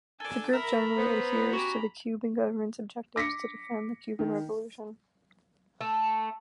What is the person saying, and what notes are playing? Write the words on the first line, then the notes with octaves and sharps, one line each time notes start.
The group generally adheres to the Cuban government's objectives "to defend the Cuban Revolution".
D4 A4 G#5
E4 A#4 E5 A#5 B5
B3 C5
C#4 F#4 G4
D6 A#6 B6 C#7
D#3
A3